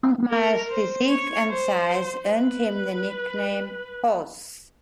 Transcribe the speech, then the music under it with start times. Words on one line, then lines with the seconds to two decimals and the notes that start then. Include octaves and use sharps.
Longmire's physique and size earned him the nickname "Horse".
0.30 A#4
0.70 C5
1.10 C#5
1.50 C5
2.28 B4